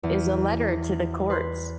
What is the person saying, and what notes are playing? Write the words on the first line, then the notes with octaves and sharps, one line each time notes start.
is a letter to the courts.
E2
B4 C6